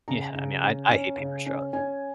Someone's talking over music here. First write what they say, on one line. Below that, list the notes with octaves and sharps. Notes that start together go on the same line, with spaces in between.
Yeah, I mean, I I hate paper straws.
C#3 A#5
C#3
C#4
C#4
C#3
C#4
C#4 G#5